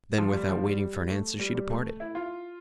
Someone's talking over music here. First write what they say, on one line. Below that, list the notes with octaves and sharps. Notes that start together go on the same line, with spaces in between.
Then, without waiting for an answer, she departed.
F3
G3
F3
G3
A3
G3
G3
A3
E4
F4